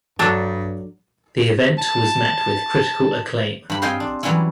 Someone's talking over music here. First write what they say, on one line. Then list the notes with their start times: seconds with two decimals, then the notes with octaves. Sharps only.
The event was met with critical acclaim.
0.19 G2 F#3 D4 A4
1.78 A5
3.70 G2 B5
3.82 C4 F4 C5 D#5 G5 G#5
4.00 D4
4.23 E3 F#3 G3 C#4 E4